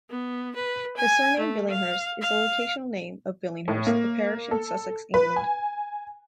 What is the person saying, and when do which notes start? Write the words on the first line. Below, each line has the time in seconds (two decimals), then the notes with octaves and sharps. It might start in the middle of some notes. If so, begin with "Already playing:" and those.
The surname Billinghurst is a locational name 'of Billinghurst' a parish in Sussex, England.
0.10 B3
0.55 B4
0.97 G#5
1.39 A3
1.70 F5
2.21 F5
3.68 A2
3.87 A#3
4.51 A4
5.14 B4
5.36 G#5